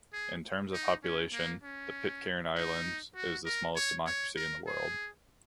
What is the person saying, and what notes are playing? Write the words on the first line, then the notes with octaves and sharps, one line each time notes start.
In terms of population, the Pitcairn Islands is the smallest democracy in the world.
G#4
D#4
C#4
A#3
C#4
D#4
F#4
A#4
C#5
C#5
A#4
G#4